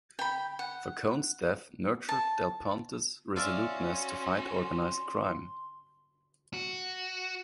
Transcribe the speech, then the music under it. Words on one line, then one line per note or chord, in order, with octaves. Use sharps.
Falcone's death nurtured Del Ponte's resoluteness to fight organised crime.
G5 B5
F#5
A5
C#4 F#4 D5 E5 F5 C6
F#4